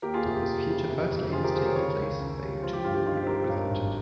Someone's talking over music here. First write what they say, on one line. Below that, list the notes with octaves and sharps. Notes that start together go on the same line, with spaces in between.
As future First Ladies take their place, they, too, will be represented.
D#2 G4 A#4
F4 G#4
F1 G4
G4
F1
C#3
C3
F2
F2 F4 G#4
G4 A#4
D#3 G#4 C5
A#4 C#5
C#3 A#4 C#5
C#2
C#4
G3
F3 F4
G4
G2 F4
G4
D#4 F4
G4
C5
C4 G4 A#4
G2 A#4 C#5
G#1